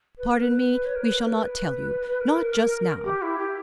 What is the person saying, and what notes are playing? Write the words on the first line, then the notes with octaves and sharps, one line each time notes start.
"Pardon me, we shall not tell you--not just now."
B4
A#4
B4
C#5
A#4
B4
A#4
B4
A#4
G4
E4
G4